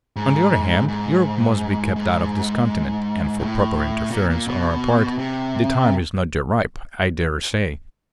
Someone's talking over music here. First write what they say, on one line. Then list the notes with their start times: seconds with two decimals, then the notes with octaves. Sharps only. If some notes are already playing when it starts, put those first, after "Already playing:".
On the other hand, Europe must be kept out of this continent, and for proper interference on our part the time is not yet ripe, I dare say.
0.16 G#2
0.88 G#2
1.96 G#2
3.39 A2
4.11 A#2
4.30 A#2
4.48 B2
5.19 C3